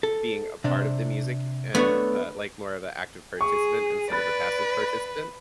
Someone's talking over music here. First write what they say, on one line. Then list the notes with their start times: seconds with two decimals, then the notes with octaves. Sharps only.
being a part of the music and, uh, like, more of a active participant instead of a passive participant.
0.03 A4
0.64 C3 D4
1.75 A3 B3 D4 C#5
3.41 G#4 C#6
4.12 B4 D5 B5 F#6 A6